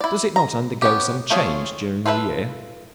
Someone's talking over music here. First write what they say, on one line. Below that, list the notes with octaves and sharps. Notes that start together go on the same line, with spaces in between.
Does it not undergo some change during the year?
E4 D5
A#5
B3 C#4 G4
A3 C4 F4 G#4 C#5
F4 A4 B4 C5 E5